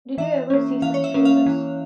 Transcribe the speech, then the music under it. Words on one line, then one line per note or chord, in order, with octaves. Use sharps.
Did you ever see such roses?
E3 E5
A#3 C#4
E3 F5
C#5
E5
A#3 C#4
F5
E3